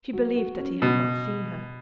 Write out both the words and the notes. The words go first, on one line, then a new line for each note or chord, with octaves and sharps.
She believed that he had not seen her.
F#3
F#4
C#4
B2 F#3